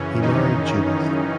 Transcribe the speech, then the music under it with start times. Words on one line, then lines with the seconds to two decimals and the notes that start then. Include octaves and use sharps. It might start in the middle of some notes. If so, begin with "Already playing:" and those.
He married Judith.
Already playing: F#2 C#3 E3 C#4
0.21 D#3 D#4